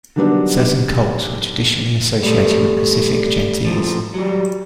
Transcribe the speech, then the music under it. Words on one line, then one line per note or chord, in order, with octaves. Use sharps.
Certain cults were traditionally associated with specific gentes.
D3 D#3 F#3 G3 B3 D4
G3 A3
A2 F3
F#3 G3